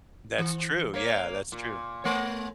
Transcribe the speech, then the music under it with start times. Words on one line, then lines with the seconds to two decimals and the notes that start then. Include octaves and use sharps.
That's true, yeah, that's true.
0.38 E3
0.94 A#3 C#5
1.52 A#2
2.04 A3 B3 C#5